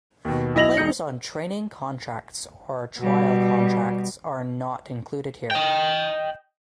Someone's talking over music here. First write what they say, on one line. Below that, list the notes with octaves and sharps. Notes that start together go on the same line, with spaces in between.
Players on training contracts or trial contracts are not included here.
D#2 B2
B1 E4 D#5 A#6 F7 F#7
E1 D#4 G6 C#7
B2 G3
D#5 G5